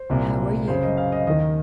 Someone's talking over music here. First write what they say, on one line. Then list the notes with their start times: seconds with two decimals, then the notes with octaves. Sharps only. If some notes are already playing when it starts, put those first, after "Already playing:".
"How are you?"
Already playing: C5
0.10 C2 A#2
0.68 F#2 C#3 C5
0.83 D#5
0.97 F5
1.12 D#5
1.27 D#2 D#3 D#5